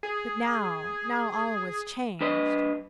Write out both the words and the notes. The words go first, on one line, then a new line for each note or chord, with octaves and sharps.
But now, now all was changed.
G#4
G2 B4 D#5